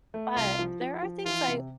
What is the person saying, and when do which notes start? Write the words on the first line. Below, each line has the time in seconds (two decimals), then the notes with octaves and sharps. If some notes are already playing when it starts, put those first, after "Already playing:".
but there are things I
0.14 A3
0.36 C2 F4
0.59 F3
0.81 F3
1.03 F3
1.26 E3 F4
1.48 C3